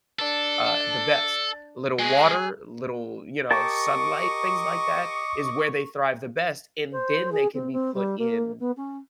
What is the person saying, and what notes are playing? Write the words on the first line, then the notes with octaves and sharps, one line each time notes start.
uh, the best. Little water, little, you know, sunlight, things like that is where they thrive the best, and then they can be put in
D4 A4
G#3 F#4 G#4
G4 A#4 D#5 A5 C#6 D6
C5
G#4
C4
C4
G3
A#3
B3
C#4